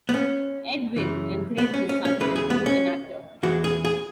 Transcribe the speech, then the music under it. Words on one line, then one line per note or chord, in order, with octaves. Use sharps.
Ed Wynn encouraged his son to become an actor.
B3
C#4
F#2 C#3 E3
B3
C#4
C#4
C#4
E2 C#3 E3 G#3 B4
G#4
B3
C#4
E2 E3 G#3 F#4
G#4
G#4